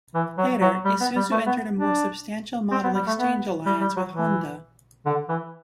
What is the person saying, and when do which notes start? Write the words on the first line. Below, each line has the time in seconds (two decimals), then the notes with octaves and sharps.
Later, Isuzu entered a more substantial model-exchange alliance with Honda.
0.14 E3
0.38 F#3
0.61 F#3
0.85 G3
1.00 B3
1.16 G3
1.31 A3
1.46 B3
1.78 D4
2.71 C4
2.83 B3
2.95 G3
3.07 A3
3.18 B3
3.66 G3
3.81 G3
3.96 F#3
4.12 E3
5.06 D3
5.29 E3